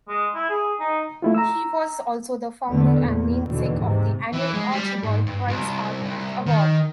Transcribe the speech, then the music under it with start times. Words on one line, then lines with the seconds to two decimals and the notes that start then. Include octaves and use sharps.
He was also the founder and namesake of the annual Archibald Prize art award.
0.08 G#3
0.35 E4
0.49 G#4
0.80 D#4
1.22 A3 E4 F4
1.35 A#5 E6
2.69 E2 D3 A3 B3
3.00 E2 A#2
3.46 D#2 B2 D3 E3
3.77 G#2 C3
4.33 E3
4.54 G#3
4.72 G3
5.03 G#2
5.27 G2
5.48 C2
6.02 C2
6.46 D#3